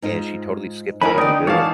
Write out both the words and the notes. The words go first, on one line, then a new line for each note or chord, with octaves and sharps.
and she totally skipped out on the bill,
G#2 D#4 F4
D#3 A3 E4 A#4 G#5 B5
D3 D#4 C#5 D5 G5 D#6
G#1 E3 D#4 C#5 D5 F5 A5